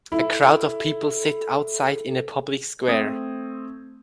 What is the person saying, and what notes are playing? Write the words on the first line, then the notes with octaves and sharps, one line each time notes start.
A crowd of people sit outside in a public square.
E4 A4
A3 C4 D#6 G#6